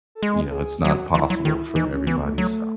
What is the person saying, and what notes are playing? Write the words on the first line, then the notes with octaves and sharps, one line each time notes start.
you know, it's not possible for everybody, so
A4
G#3 G#4
A4
G#4
F#3 F#4
E3 E4
F#3 E4
D#3
E4
E3 D#4
C#4
E3 B3
A3
F#3 A3